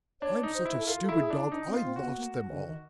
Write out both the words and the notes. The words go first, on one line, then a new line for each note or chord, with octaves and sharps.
I'm such a stupid dog I lost them all!
D4 C#5
D#4
C5
E4
A4
F4 A#4
A4
E4
G#4
D4
E4
D4 D#4
C4
F4
C4
F#4
B3
A#3
D3
D#3